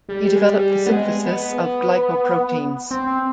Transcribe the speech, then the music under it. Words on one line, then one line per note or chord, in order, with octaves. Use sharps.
He developed the synthesis of glycoproteins.
G3
G3
G#3
G3
G3
B3
G#3
B3
C4
C4